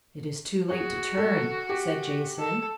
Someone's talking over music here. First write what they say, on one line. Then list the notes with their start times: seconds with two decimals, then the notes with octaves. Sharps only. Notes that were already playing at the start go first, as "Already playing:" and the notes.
"It is too late to turn," said Jason.
0.71 F#4 G#4
1.17 A4
1.69 G4
2.39 A4